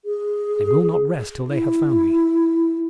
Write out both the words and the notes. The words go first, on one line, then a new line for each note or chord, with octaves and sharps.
They will not rest till they have found me.
G#4
E4